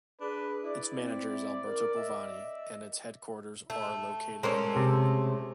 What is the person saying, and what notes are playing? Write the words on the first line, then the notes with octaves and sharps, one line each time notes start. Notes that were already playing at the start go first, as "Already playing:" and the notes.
Its manager is Alberto Polvani and its headquarters are located in Rome.
D4 G#4 B4
E4 D5
C4
A#4
D#5 E5
A3 E5
G#3 A3 C#4 A#4 C5 A#5
C3